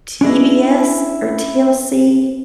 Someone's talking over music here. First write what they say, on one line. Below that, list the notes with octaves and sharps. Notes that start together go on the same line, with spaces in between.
TBS or TLC.
C#4 D4 E4 G#4 D#5